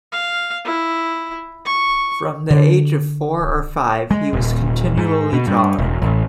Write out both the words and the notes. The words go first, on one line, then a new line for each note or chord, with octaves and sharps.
From the age of four or five he was continually drawing.
F5
E4
C#6
D3
G#3
D#1
G#2
B2
G2
E1
A1